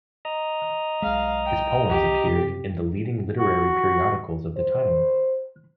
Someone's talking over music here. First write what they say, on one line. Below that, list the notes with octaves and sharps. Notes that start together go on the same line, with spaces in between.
His poems appeared in the leading literary periodicals of the time.
D#5 A#5
B1 G#3 F5
G5
C2 G4
F#2 C3
F#4
C5